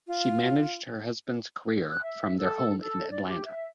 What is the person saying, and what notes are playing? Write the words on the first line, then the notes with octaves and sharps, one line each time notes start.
She managed her husband's career from their home in Atlanta.
F4
F#6
E5
A4
A4
D5
G4
E5